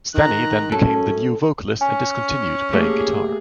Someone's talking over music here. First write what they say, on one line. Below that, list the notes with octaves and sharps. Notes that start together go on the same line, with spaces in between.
Stanne then became the new vocalist and discontinued playing guitar.
D#3 A#5 F#6
F#2 C#4 A4
C#4 G#5
A3 A#3 G4 G#4